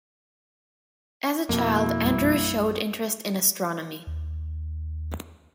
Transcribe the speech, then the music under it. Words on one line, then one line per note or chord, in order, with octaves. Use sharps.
As a child Andrew showed interest in astronomy.
F2 B2 A#3 E4
A#1 F#2 G3
D#2